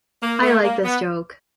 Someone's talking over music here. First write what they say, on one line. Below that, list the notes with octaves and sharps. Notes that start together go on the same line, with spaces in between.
I like this joke.
A#3
A3
A#3
B3